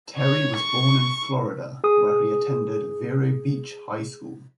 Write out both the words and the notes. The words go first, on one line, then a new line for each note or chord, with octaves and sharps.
Terry was born in Florida, where he attended Vero Beach High School.
C#5
C#6
G#4 D#6